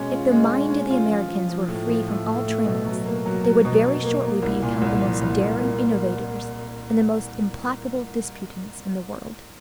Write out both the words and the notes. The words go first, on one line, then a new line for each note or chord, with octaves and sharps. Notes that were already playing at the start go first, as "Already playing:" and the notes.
If the mind of the Americans were free from all trammels, they would very shortly become the most daring innovators and the most implacable disputants in the world.
Already playing: B2 G#3 C#4
F4
G#3
C#4
C#4
F4
F3
F3
F3
A2
F3
A3
A2
A3
B2
F#3
A#3
F#3
F#3
B2
F#3
A#3
A#3
C2
A#2
C2
F3
C2
C2
A#3